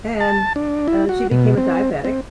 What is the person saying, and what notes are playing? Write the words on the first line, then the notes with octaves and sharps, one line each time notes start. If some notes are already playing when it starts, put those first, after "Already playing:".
and, uh, she became a diabetic.
A5
D4
E4
F#4
B2
C4
C4